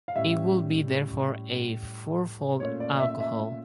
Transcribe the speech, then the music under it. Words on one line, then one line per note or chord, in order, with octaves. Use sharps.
It would be therefore a fourfold alcohol.
F5
A2 G3 C#4 E4 E5
A#2 A3 C#4 F4 C#5
D5
E5
E5